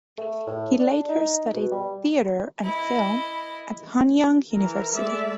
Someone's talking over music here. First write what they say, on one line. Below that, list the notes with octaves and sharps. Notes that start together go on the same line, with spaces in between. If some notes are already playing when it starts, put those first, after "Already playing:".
He later studied Theater and Film at Hanyang University.
A3
A2
D4
D#4
B2
G3
E4 D#5
E3 A#4
G#3 A3 D5 E5